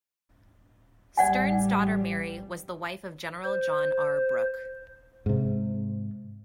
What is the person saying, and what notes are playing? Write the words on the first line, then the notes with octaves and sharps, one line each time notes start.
Stearns' daughter Mary was the wife of General John R. Brooke.
A1 G3 D5 F#5 G#5
C5
G#2 C3